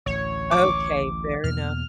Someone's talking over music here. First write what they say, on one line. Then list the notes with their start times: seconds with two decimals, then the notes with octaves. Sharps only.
Okay, fair enough.
0.06 A1 D2 A2 C#5
0.51 D6
1.44 E2 B2 A#3 F6